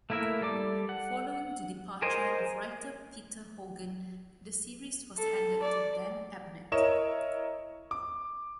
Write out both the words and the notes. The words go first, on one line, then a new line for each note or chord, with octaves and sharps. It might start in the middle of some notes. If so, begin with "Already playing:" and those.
Following the departure of writer Peter Hogan, the series was handed to Dan Abnett.
A3 A#3 E4 A#4 E5
G3 A4 D5 D6
F#5
G#4 A#4 C5 D#5 G#5
A4
D5
E4 A#4 C#5 D#5 E7
D6